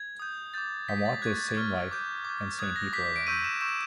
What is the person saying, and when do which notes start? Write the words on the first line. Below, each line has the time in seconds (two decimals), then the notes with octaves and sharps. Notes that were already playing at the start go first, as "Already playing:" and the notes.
I want this same life, and same people around me.
Already playing: G#6
0.19 D#6 G6
0.54 D6 G6 A6
0.88 D#6 G6 B6
1.05 A6
1.22 C#6 F#6 G#6
1.36 A6
1.49 G#6
1.57 C#6 F6
1.91 D6 G6
2.25 D6 G6
2.59 D#6 F#6 G#6
2.76 A#6
2.93 D6 G6 B6
3.05 B6
3.16 D7
3.27 C#6 E6 G6 D#7
3.44 E7
3.61 C#6 E6 G6 E7